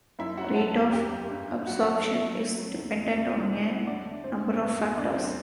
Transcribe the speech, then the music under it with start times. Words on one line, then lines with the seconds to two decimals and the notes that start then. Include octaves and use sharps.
Rate of absorption is dependent on a number of factors.
0.19 F#2 E4 E5
0.37 F#3 F#4 F#5
0.56 F#3 A4 A5
0.75 E2
0.93 F#2 G4 G5
1.11 F#2
1.29 G2
1.48 G2
1.67 F#3 F#4 F#5
1.85 F#3
2.03 F#3 A3 A4
2.22 F#3
2.40 F#3
2.59 F#3
2.76 E2
2.96 E2
3.14 E2
3.26 C4 C5
3.32 E3
3.37 D4 D5
3.50 B2 E4 E5
3.69 E2 F#5
3.74 E4 E5
3.87 F#3 D4 D5
4.05 D3
4.24 G2 C4 C5
4.42 G2
4.60 E2 B3 B4
4.80 E2
4.97 E2 D4 D5
5.15 F#3 C4 C5